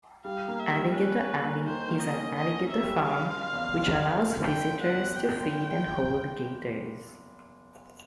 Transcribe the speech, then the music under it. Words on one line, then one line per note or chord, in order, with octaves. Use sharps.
Alligator Alley is an alligator farm, which allows visitors to feed and hold gators.
G3 F5
A#3
E5
G3
C#4 B4
C#4
A#3
D#3 C5
A#3
D#5
C#4
C#4 D#5
C#4
E5
G3
F#1 F5
F#1
E2
F#1
E2
F#1
F#1 G5
F#1
F#5
E2
F#1 G5
F#1